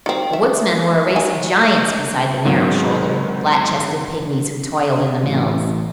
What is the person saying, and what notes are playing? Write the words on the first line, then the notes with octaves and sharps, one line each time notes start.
The woodsmen were a race of giants beside the narrow-shouldered, flat-chested pygmies who toiled in the mills.
D#3 C4
E5
D#3 G#5
G#2 D#3 F#3 G#3 B3 C4
A1